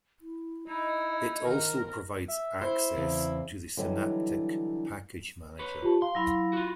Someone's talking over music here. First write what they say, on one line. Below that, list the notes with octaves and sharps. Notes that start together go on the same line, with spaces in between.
It also provides access to the Synaptic package manager.
E4
D#4 E4 D#5
D#3 A#4
E5
E4 C5
E2 C#3 C4
D3 E3 F#3 G3 D#4
B4 C#5
F4 G4 A5
F5 C6
F#3 E4 F5 B5 A#6
F4 F#4